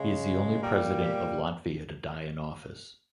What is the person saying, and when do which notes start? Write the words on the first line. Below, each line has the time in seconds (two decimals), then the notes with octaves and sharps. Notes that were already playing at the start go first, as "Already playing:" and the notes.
He is the only President of Latvia to die in office.
Already playing: C#3 G#3
0.61 A#2 G3 A#3 A#4
1.00 G4